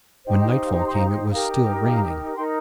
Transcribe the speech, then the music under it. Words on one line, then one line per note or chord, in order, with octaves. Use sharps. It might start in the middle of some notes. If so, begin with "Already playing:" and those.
When nightfall came it was still raining.
D#4 G4 C5 D#5 G5
D#5 G5
F5
F5
A#5
C6
F5 A#5
D#4 G4 A#4 F5 A#5
F5 A#5
D#4 A#4 G5 C6